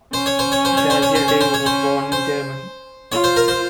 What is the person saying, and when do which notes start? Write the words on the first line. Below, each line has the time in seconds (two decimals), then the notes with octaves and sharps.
Graziadei was born in Germany.
0.13 C#4 C5
0.26 C#5
0.39 C5
0.52 C#5
0.65 C5
0.77 C#5
0.90 C5
1.02 C#5
1.15 C5
1.28 C#5
1.41 C5
1.54 C#5
1.62 C#4 C5
2.12 C5
3.12 F4 C#5
3.24 C5
3.36 A#4
3.48 C5